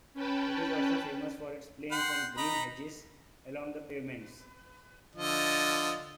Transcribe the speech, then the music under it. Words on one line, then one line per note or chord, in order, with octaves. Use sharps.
It is also famous for its planes and green hedges along the pavements.
C#4 B4 G5 A5 B5
F#5 G5 C6
D#4 A#5 B5
D3 F3 D#5